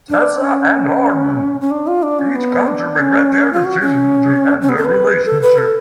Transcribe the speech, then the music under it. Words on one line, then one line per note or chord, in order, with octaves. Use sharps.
Tessa and Hardin each come to regret their decision to end their relationship.
D4
C#4
C#4
D4
F4
D4
C#4
B3
D4
C#4
F4
F#4
C#4
C#4
B3
A4
B4
A4
B4
A4